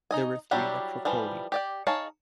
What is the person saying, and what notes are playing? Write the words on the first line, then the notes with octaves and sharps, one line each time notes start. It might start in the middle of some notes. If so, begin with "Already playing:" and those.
There were three necropoli.
D#4 D#5 G#5
F#3 G3 D4 E4 G4
E3 F3 G3
G4 D5 G5
D#4 G#4 C#5 F5 A5